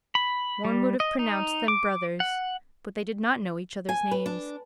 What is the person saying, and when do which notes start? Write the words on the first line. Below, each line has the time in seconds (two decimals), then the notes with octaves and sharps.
One would have pronounced them brothers, but they did not know each other's names.
0.15 B5
0.65 G3
1.00 D#5
1.19 D#4
1.68 D6
2.20 F#5
3.89 G#5
4.11 B4
4.26 D4